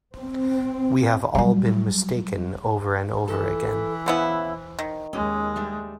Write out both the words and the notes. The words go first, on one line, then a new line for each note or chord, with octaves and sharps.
We have all been mistaken over and over again.
C4
F#3 G3
E3 A4 A5
C#3 B3 E4 C5
D#3
D#2 G#3 C#4
G3 A3 D4